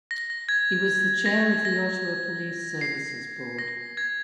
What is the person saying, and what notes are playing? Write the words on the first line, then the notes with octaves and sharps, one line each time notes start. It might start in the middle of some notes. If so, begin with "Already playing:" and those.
He was the chair of the Ottawa Police Services Board.
A#6
A#6
G#6
A#6
A#6
C7
A#6
G#6